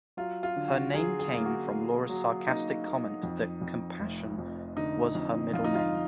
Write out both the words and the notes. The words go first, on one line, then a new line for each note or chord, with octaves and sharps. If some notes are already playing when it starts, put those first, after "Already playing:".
Her name came from Laura's sarcastic comment that "Compassion" was her middle name.
F#3 F4
F4
D3
F#4
F#3 G#4
G#4
A#3
F#4
A#3
F#3
A#3 D#4
A#3
F2
F2
F1
F2
D3 D#4
F2
F2 F4
D#4
F4